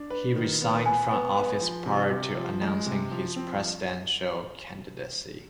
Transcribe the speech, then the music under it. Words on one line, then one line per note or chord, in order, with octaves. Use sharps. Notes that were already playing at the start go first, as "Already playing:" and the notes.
He resigned from office prior to announcing his presidential candidacy.
Already playing: D4
B4
D#3
B3
B4 G#5
B3
B4
F3
C3
C3
F3
G#3
C3
F3
C4